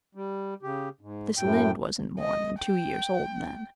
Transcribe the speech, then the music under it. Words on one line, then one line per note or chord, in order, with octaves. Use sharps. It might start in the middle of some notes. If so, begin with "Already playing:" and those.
This Lynde wasn't more than two years old then.
G3
C#3 G4
G#2
F#2 A2 G5
D#5
G5